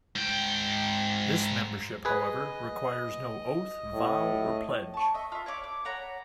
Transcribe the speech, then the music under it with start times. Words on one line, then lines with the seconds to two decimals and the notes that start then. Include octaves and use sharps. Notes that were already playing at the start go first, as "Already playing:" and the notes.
This membership, however, requires no oath, vow, or pledge.
0.15 G#2 G5
2.05 G#4 B4 D#5
3.93 A2
4.94 A5 C#6
5.14 D#5 E5
5.32 F4 E5
5.46 C#5 D5 E5 D6
5.64 D6
5.85 C#5 F#5 A#5 B5